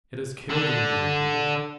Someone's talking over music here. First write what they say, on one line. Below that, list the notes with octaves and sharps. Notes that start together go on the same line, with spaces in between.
"It has killed him!" he repeated.
D3